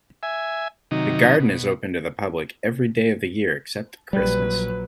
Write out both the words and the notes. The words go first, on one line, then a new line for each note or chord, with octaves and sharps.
The garden is open to the public every day of the year except Christmas.
E5 G#5
C3 D#3 F#3 D#4
B2
A#1 F#3 G3 B4